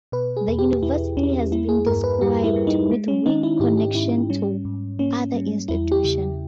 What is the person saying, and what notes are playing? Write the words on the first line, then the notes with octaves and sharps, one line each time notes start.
The university has been described with weak connection to other institutions.
B2 B4
G#4
E2
G4
E2 E4
E2 C#4
A#3 E4
G#4
G2 A#4
B4
G3 G4
E4
G3
D#4
G#3
C#4
D#3 D#4
E4
G#2 G4
G4
G#2 E4
G3 C#4
G#2
A#3 C#4
G3
E2 E4
G4
C#3